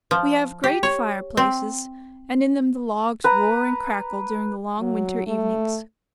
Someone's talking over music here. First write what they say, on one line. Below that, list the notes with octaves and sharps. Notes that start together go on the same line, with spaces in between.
We have great fireplaces, and in them the logs roar and crackle during the long winter evenings.
F3
G4
C#5
C4
B4 A#5
F#3
A3